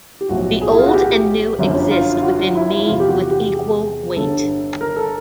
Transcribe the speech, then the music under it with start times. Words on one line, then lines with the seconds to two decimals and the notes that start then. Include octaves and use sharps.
The old and new exist within me with equal weight.
0.21 G4
0.29 B1 A2 F3 F#4
0.62 G#4
0.72 E4
0.79 F4
0.86 F#4
0.94 G4
1.59 G1 F#2 D3 F3
1.91 F4
2.17 F4
2.23 F#4
2.39 F4
2.55 E4
2.72 E4
2.87 E2 C3 F3 F4
3.00 G4
3.09 F#4
3.31 G4
3.52 G#4
4.16 G1 G2 D3 A4
4.81 A#4
4.96 A4